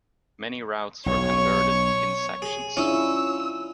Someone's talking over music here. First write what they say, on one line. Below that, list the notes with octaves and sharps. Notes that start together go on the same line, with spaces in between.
Many routes were converted in sections.
B1 C#5
G#4
C#4 D4 E4 F4 E6